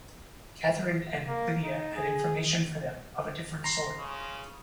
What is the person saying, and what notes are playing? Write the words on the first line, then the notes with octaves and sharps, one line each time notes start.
Catherine and Lydia had information for them of a different sort.
A#3
D#4
G#4
A#5 C6
C#3